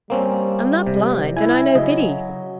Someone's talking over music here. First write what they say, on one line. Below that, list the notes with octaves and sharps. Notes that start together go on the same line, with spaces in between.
'I'm not blind, and I know Biddy.
G3 A#3 C4 C#4
C3
E4 G#5
C#3 F#3 D#5